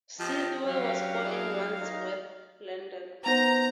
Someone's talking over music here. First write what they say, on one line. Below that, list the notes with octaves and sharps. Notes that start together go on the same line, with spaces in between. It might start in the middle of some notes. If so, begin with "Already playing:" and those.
Sidwell was born in Wandsworth, London.
F3 G4 D#5 A5
F#3 C#4 D4 G4 F5
D4 E4 G#4
D#3 D#4
B3 D#4 C5 A#5